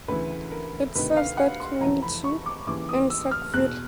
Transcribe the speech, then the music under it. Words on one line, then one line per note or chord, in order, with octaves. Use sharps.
It serves that community and Saukville.
D2 C#3 E3 B4
A#4
D2 C3 D#3 B4
F5
F#5
C6
F2 C3 E3 A#5
B5
C#6
D6
D#2 C#3 E3 D6
D#6
E6
F6
E2 B2 F#6